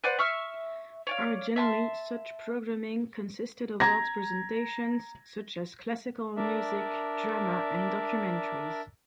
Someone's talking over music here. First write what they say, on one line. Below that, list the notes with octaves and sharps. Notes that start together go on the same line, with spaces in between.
Originally, such programming consisted of arts presentations such as classical music, drama, and documentaries.
B4 C5 D5 F#5
E5 C#6 E6 F6
C#5 D5 F5
E5 A5 C6
A#5 G#6 A#6
D4 A#4 D5 E5